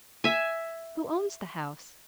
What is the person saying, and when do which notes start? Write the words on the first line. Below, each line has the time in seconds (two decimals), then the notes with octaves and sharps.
"Who owns the house?"
0.24 E5 G#5